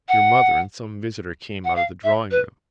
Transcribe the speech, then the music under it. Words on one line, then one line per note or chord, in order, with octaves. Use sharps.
Your mother and some visitor came out of the drawingroom.
F#5
F#5
F5
E5
B4